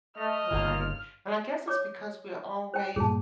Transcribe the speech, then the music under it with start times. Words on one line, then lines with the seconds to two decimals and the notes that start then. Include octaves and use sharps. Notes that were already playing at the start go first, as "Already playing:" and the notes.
Right. And I guess it's because we're always,
0.17 A3 D#5 F6
0.51 G1 G2 C#3 A#3 D#4 F4
1.68 C#5 D6
2.74 C5 G5
2.96 G2 A#2 G#4 A5